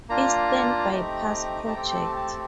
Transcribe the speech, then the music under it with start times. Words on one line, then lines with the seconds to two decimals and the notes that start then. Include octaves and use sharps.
Eastern bypass project.
0.09 A#3 D4 F4 A#5
0.92 A3 C4 D#4 G4
1.68 A5
1.74 A3 C4 G4 G5
1.91 G5
1.95 A5
2.16 A5